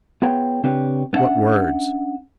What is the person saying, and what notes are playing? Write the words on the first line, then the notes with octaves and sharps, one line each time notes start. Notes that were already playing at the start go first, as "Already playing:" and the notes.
"What words?"
B3 F4 G#4 B4 C#5 G5
C#3 C4 D4 G4 B4 C#5
B3 C#4 D4 E5 F#5